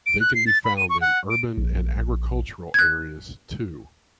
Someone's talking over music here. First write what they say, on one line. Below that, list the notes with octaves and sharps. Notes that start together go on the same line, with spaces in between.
They can be found in urban and agricultural areas, too.
D7
F#6
C7
A6
B5
D#7
C#6
F#5
D7
A#1
F#6 G#6